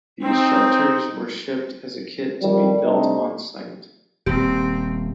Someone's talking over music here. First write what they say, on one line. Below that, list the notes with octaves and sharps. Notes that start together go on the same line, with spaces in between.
These shelters were shipped as a kit to be built on site.
C4 D#4
F2 D#3 F3 G3
C3 G3 A3 C4 D4 D#4
D#1 C4 G4